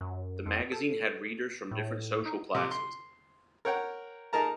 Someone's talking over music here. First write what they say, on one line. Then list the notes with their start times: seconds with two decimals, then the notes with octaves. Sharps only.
The magazine had readers from different social classes.
0.01 F#2
0.46 F2
0.72 A4
1.71 A2
2.26 D#4
2.55 C3
2.71 C6
3.65 A#4 C#5 F#5 G5
4.33 D#4 G#4 A#4 A5 A#5